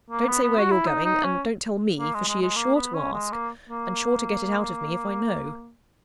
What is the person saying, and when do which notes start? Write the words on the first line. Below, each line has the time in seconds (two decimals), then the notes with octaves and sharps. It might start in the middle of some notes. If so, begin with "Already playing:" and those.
Don't say where you're going, and don't tell me, for she is sure to ask, and sure to get it out of me if I know.
0.10 A#3
0.29 B3
0.43 B3
0.58 F#4
0.72 E4
0.86 D#4
1.05 D#4
1.24 C#4
1.99 A#3
2.14 G#3
2.28 G#3
2.41 G#3
2.56 A#3
2.75 B3
2.94 C#4
3.12 G#3
3.32 A#3
3.69 A#3